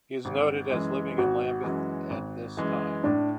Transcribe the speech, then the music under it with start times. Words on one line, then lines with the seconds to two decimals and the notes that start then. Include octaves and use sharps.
He is noted as living in Lambeth at this time.
0.25 G#1
0.70 F#2 E3 G#3
1.18 G#1 F#4
1.64 F#2 E3 G#3
2.10 G#1
2.57 F#2 E3 G#3
3.04 A2 D4